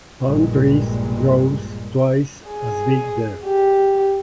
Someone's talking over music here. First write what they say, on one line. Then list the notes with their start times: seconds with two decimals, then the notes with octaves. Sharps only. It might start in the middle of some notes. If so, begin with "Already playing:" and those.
Palm trees grows twice as big there.
0.23 A#1 G2 A#2 G#3
2.49 G#4
3.44 G4